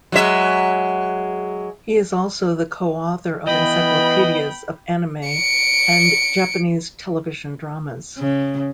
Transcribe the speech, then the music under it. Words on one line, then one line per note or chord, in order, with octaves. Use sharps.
He is also the co-author of encyclopedias of anime and Japanese television dramas.
F#3 G#3 E5
E3 B3 D#5 G5 B5
C#7 D7
C#3